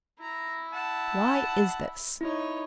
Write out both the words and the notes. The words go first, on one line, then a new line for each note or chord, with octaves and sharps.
"Why is this?"
E4 A#5
F#5 A5
D#4 E4 C#5